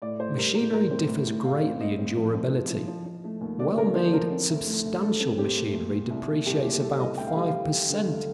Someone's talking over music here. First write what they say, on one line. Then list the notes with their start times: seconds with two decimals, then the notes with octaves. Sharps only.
Machinery differs greatly in durability; well-made, substantial machinery depreciates about five per cent.
0.02 A2 D5
0.20 A2 C5
0.37 G3 A#4
0.55 A2 A#4
0.73 A2 A#4
0.91 C4
1.08 A2
1.27 A2
1.45 A2 F5
1.62 C4
1.80 A2 D#5
1.99 C4
2.17 F3
2.34 C4
2.52 F3
2.70 F3
2.88 F3
3.06 F3
3.24 A3
3.41 D#2
3.59 D3 D5
3.78 D#2 A#4
3.95 F3 C5
4.13 F3 A#4
4.31 C4
4.49 D2
4.67 A3
4.85 D2
5.03 D2 A4
5.20 C4
5.38 C4 G4
5.57 A3
5.74 A#2
5.92 A#2
6.10 C2
6.28 A#2
6.46 C2 G4
6.63 A#2 G4
6.81 G3 A4
6.99 C2 D#5
7.18 D2 G5
7.27 F5
7.36 G3 D#5
7.45 F5
7.53 D2
7.71 G3
7.89 D3
8.07 D2